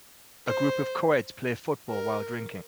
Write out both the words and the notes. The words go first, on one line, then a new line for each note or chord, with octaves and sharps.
A group of coeds play football while drinking.
C5
A#4